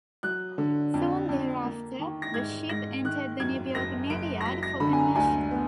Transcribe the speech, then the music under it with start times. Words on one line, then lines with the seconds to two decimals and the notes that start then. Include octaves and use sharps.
Soon thereafter, the ship entered the New York Navy Yard for conversion.
0.23 F#3 F#6
0.58 D3
0.94 F2
1.29 F2
1.64 A#3
1.99 D#3
2.22 A#6
2.34 G#2 G#6
2.69 G#2 A#6
3.04 D#3 F#6
3.40 F#2 G#6
3.75 F#1 A#6
4.10 F#1 D7
4.41 A#6
4.45 F#3 B6
4.63 A#6
4.80 D3 B5
4.93 G#5
4.98 A#5
5.16 D2 G#5
5.51 B3